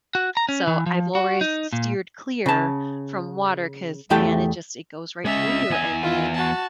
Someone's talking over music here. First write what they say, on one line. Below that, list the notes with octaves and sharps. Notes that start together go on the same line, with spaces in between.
so I've always steered clear from water, 'cause, man, it just it goes right through you, and then
F#4
A#5
C#4
E3
F3
F#4
D#4
A#2
C#3 A5
E2 E3 A3 G4 G5 A5
G#3 C#4 D#5 E5
E2 G#5
E4 F4
F#4 A5